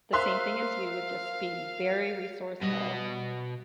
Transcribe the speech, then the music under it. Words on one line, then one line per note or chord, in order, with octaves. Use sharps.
the same thing as you, just being very resourceful,
A#4 C5 E5 F5 C6 F#6
B2 G3 D#5